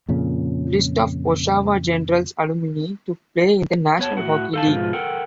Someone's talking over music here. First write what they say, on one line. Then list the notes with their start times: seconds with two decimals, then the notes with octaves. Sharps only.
List of Oshawa Generals alumni to play in the National Hockey League.
0.09 F2 A#2 C#3 C#4
3.99 B3 C#5 A5
4.17 A2 F#4 F#5
4.54 A4 F5 A5
4.67 G#2 B2 F3 F4
4.93 A4 A#4 F#5 G5